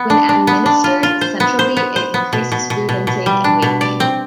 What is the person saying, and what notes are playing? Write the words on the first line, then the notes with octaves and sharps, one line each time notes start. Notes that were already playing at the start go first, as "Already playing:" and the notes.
When administered centrally it increases food intake and weight gain.
Already playing: B3
D4
D4
B3
D4
F4
F4
C5
B3
C5
B3
C5
B3
B2
B2
B2
B2
B2
G3
D4
B2
D5
C4